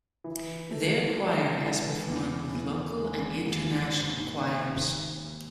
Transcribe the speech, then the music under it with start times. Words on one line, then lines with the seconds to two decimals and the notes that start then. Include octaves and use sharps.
Their choir has performed with local and international choirs.
0.24 E3
0.71 A3
1.16 G#3
1.62 E3
2.08 E2
2.54 E2
3.00 G#3
3.46 D#2
3.92 G#2